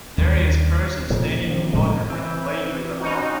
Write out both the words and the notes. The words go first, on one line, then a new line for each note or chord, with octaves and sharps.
There is person standing in water and playing with a dog.
D#2 G3
A#2 C#3 F3
D#3 F3
A2 C#3 F3 G#3
E3 C4
C#4 D#4 F#4